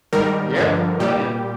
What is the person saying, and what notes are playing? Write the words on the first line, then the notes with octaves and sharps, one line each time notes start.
Yeah. Oh, yeah.
G#2 D#3 G3 A#4
G2 D3 F3
A#2 G3 G4